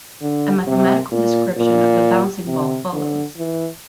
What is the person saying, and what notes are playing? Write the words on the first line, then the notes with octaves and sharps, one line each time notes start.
A mathematical description of the bouncing ball follows.
D3
C3
A#2
A#2
C3
D3
E3